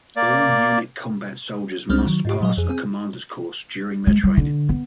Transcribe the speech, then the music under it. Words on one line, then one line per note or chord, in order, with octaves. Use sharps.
All unit combat soldiers must pass a commander's course during their training.
A#3 D5
C2 G3 G#3 C4 D4 F6
D#3 F#3
G#2 F4 G4
A#2 F#3 D#5
F2 G#4
C4 G#4
G#3
G3
D3
B3